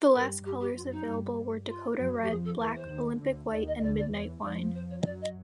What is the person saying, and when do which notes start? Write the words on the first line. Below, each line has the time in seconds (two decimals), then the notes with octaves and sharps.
The last colours available were Dakota Red, Black, Olympic White and Midnight Wine.
0.14 G2 G3 A#4
0.44 G2 G3 G4
0.60 G4
0.75 F#2 F#3 F4
0.91 D#4
1.06 G2 G3
1.67 F4
1.98 F#2 F#3
2.22 G4
2.29 F2 F3 G#4
2.44 A4
2.59 E2 E3 A#4
2.75 C5
2.90 D#2 D#3
3.21 D2 D3
3.51 D#2 D#3 D5
3.67 D#5
3.78 D#5
3.82 D2 D3 D5
3.98 D5
4.13 E2 E3 C#5
4.44 F2 F3 D5
4.74 C5
4.90 C#5
5.01 D#5
5.05 F#2 F#3 D5
5.21 D#5